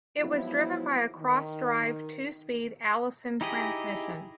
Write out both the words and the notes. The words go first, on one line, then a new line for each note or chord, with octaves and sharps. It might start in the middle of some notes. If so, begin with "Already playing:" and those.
It was driven by a cross-drive, two-speed Allison transmission.
G#2 F3 F#3 B3 E4
D#3
D#4 E4 G4 G#4 D#5